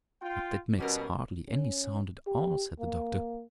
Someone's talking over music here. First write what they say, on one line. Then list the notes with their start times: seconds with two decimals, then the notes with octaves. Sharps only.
"But that makes hardly any sound at all," said the Doctor.
0.22 F4 G5 C6
0.78 B2 G3 C#4 A#4
1.48 C#4
2.27 G4
2.79 A#3